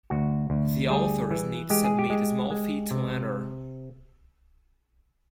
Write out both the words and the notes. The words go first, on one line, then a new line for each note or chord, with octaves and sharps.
The authors need to submit a small fee to enter.
D2 F#4
D2
G3 G#4
E3
G#3 G4
G#4
G4
G#3
G#3
C3